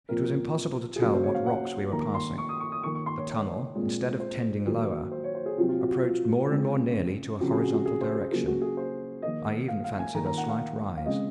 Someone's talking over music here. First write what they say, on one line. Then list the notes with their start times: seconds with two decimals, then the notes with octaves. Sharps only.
It was impossible to tell what rocks we were passing: the tunnel, instead of tending lower, approached more and more nearly to a horizontal direction, I even fancied a slight rise.
0.09 A#2 F3 C4 A#4
0.96 G#4
1.00 C#3 F#3 A#3 F#4
1.12 C5
1.23 C#5
1.34 F5
1.46 F#5
1.92 D#3 A#3 A#5
2.14 C6
2.38 C#6
2.49 D#6
2.60 C#6
2.72 D#6
2.83 D#3 A#3 C#6
2.95 C#6
3.06 C6
3.18 C#5
3.29 C#5
3.75 A#2 G#3 C4
4.20 C5
4.66 D#3 F#3 A#3
5.11 C5
5.24 C#5
5.35 C5
5.46 G#4
5.57 C3 F#3 C4 F4
5.69 F4
5.80 F#4
5.92 F#4
6.03 F4
6.49 C#3 G#3 C4
7.40 C#3 F3 C4 F#4
7.52 G#4
7.63 F#4
7.74 F#4
7.86 G#4
8.01 C5
8.16 G#4
8.31 C#3 F#3 A#3 G#4
8.47 F#4
8.61 G#4
8.77 C5
9.22 D#3 A#3 D#5
9.68 F5
9.84 F5
9.99 G#5
10.14 D#3 A#3 A#5
10.26 A#5
10.38 F#5
10.48 F5
10.97 F5
11.05 C#3 G#3 C4 D#5